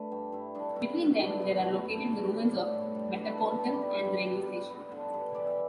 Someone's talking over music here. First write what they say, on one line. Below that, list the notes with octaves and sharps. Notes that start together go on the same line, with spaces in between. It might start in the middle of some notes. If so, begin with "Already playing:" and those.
Between them there are located the ruins of Metapontum and the railway station.
Already playing: D3 A3 A4 B4 E5
G2 G5
G2 E4
G2 D4
B3 E4
B3
B2 D4
B3
D4
A3 E4
A3
G2
G2
A2 D5
A2
G3
G3 G4
A4
B3 B4
A5
G3 G5
E5
D5
G3 B4
G2
B3
G3
B3
D3
G2 B4
E3 D5
E5